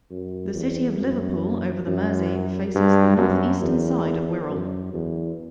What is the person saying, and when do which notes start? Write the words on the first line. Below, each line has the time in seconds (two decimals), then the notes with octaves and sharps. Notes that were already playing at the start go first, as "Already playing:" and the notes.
The city of Liverpool over the Mersey, faces the northeastern side of Wirral.
0.11 F#2
0.55 E2
0.99 F#2
1.87 F#2
2.75 G2
3.18 F#2
3.62 E2
4.50 F#2
4.94 E2